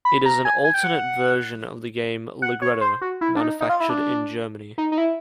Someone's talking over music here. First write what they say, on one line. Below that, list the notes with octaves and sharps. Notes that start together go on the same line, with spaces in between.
It is an alternate version of the game Ligretto, manufactured in Germany.
B5
A#5
G#5
G#5
G5
F#5
F#5
C#5
C5
F#4
E4
D4
D#4
D#4
F4
E4
D4
D#4
D#4
E4